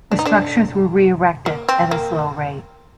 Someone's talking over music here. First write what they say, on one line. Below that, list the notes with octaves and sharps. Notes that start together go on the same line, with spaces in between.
The structures were re-erected at a slow rate.
D4
D#4
D3 D4
A#3
C4
A#3